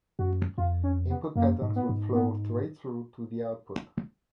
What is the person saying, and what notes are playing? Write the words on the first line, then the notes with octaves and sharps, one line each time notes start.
Input patterns would flow straight through to the output.
F#2 F#4
F2 F4
C#4
B3
F#2 A#3
G#2
B3
G#2
B3